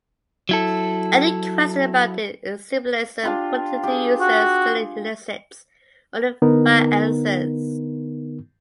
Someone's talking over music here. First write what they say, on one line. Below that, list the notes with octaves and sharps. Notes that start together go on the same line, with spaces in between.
Any question about their symbolism put to the users generally elicits only vague answers.
F#3 E4 A4
D4 F4 G4
G4 G#4
F#4
D3 B3 D#4 A#4